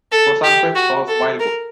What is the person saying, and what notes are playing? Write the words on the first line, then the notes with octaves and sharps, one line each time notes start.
Bosanquet of Wildwood.
A4
G4
F#4
A4
A#4